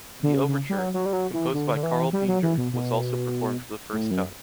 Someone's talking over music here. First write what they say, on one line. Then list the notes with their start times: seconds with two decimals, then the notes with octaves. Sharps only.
The overture, composed by Carl Binder, was also performed for the first time.
0.23 D3
0.34 C#3
0.48 C#3
0.69 G3
0.78 F#3
0.94 F#3
1.06 G3
1.13 F#3
1.33 E3
1.54 D3
1.75 D3
1.83 E3
2.13 G3
2.28 F#3
2.43 E3
2.58 B2
2.73 B2
3.93 A2
4.11 F#2